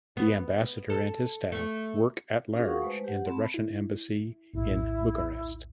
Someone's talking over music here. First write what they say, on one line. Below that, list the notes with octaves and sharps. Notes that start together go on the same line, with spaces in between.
The ambassador and his staff work at large in the Russian embassy in Bucharest.
B3
A4
A3
C#4 D4 F4 F#4 G#4 A#4
F#4 F5 F#5 C#6 D#6
G#3 A3 B4 C5
G4 F#5
A3 C4 A5 B5
E4
A#1 D#2 A2 E4